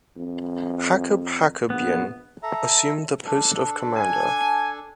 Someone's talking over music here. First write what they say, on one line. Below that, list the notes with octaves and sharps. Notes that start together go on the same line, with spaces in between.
Hakob Hakobyan assumed the post of commander.
F2
A#1 B3
A4 E5 A#5
D4 A4
G#5